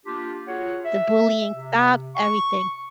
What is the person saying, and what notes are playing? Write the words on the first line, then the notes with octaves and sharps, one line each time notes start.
The bullying stopped, everything.
A#3 D4 F4 G4
F4 F#4 G#4 C#5 F#5
E5
C3
C#6